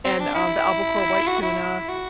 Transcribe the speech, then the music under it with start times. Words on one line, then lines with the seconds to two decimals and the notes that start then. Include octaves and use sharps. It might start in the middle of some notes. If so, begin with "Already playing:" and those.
and, um, the Albacore white tuna,
0.04 C4
0.20 D4
0.35 E4
1.27 F#4
1.42 E4
1.89 F#4